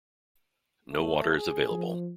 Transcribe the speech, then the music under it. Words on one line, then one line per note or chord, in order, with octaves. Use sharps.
No water is available.
A3
G#4
F3